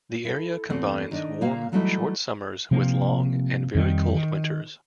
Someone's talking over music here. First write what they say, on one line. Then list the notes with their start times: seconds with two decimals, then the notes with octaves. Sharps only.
The area combines warm, short summers with long and very cold winters.
0.25 E4 A4
0.70 E2 A3 C4
1.11 D#3 D4 D#5
1.41 A#2 A#3 F5
1.72 E3 F#3 G3 A3 D#4 E4
2.71 C3 F3 A#3
3.75 F2 D#3 G3
4.14 D#3